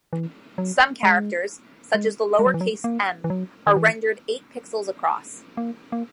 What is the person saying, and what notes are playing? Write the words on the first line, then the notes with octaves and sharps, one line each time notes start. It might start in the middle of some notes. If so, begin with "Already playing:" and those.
Some characters, such as the lowercase "m", are rendered eight pixels across.
E3
F#3
G#3
G#3
G#3
F#3
E3
F#3
A#3
E3
F#3
D#3
E3
A#3
A#3